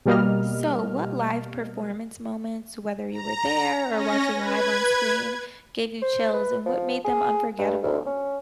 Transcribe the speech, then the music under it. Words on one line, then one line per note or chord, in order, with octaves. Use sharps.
So, what live performance moments, whether you were there or watching live on screen, gave you chills, and what made them unforgettable?
B2 G3 A#3 D#5 F6
A#5
C#4 A#6
B4 G#6
C5
B4
F3
G#4
G2
D2
C#4